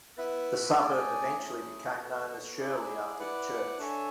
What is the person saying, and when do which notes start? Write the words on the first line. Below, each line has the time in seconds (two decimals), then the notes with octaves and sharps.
The suburb eventually became known as Shirley after the church.
0.17 B3 E4 B4 E5
0.78 A3 C#4 G#4 D5 G#5
1.38 A3 C#4 E4 G#4
1.98 B3 F#4 A4
2.58 E4 G#4 D5
3.19 E4 B4 D5 F#5
3.79 D4 A4 C#5 E5 G#5